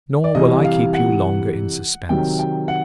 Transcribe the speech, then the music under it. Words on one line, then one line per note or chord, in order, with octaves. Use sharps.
Nor will I keep you longer in suspense.
D5
C3 E3 G3 D#5
F5
F#5
C3 D#3 F#3 G5
G5
F#5